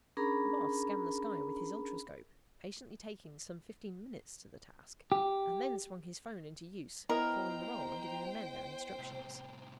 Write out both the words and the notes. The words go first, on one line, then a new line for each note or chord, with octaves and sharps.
The Boss scanned the sky with his ultroscope, patiently taking some fifteen minutes to the task, and then swung his phone into use, calling the roll and giving the men their instructions.
C#4 D4 G#4 A#4 A#5 B5
G4
B3 E4 A#4 C5 D#5 G5 A#5
A2 C3